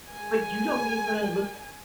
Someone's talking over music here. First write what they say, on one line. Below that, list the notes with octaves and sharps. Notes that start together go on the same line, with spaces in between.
But you don't even look at
G#3 A#4 G#5